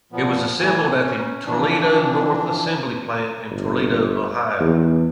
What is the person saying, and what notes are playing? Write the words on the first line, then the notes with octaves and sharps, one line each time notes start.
It was assembled at the Toledo North Assembly Plant in Toledo, Ohio.
A#2 F3 B3
A2 E3 G#5
C#4
E3 F3 D4
G1
E2